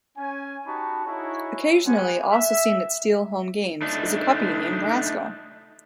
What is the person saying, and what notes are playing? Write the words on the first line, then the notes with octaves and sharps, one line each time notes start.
Occasionally also seen at Steel home games is a puppy named Rascal.
C#4 G#5
D#4 F#4 G4 A5 B5 C#6
D#4 E4 F#4 G#4 C#5
G3 B3 G#4 C5 F#5 G#5
E5
A3 D4 D#4